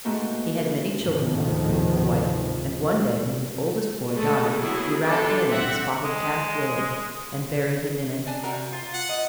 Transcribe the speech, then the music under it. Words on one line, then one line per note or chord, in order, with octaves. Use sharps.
He had many children by his beautiful wife, and one day when his oldest boy died, he wrapped him in the spotted calf robe and buried him in it.
G#2 B2 A3 A#3 F#4 C5
G#1 D2 A2 C3 D#3 F3
G#3 A3 A4
F#3 B3 E4 G#4
D4 F4 G4 A4
C4 E5 F#5
G#3
D4 G#5 A5
C3 F#4 A#4
F4
F#5
D#5